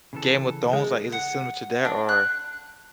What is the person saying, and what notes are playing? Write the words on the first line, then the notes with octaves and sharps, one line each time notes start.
Game of Thrones, like, is it similar to that? or
C#3 E3 A4
G#3
F#5
D4
F#6